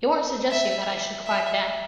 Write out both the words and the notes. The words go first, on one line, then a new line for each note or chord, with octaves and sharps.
You aren't suggesting that I should climb down?
E5
E5